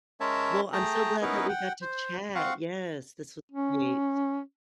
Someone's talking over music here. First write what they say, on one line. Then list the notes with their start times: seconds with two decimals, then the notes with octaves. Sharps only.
Well, I'm so glad that we got to chat. Yes, this was great.
0.21 G#3 C#4 A#4 C#5 E5 A5
0.73 A3 G#4 G5 A5 A#5
1.22 B3 C#4 D#4 E4 A#4 B4
1.49 F#5 G5
1.82 C5
2.35 C4 F5 F#5 C#6
3.52 C#4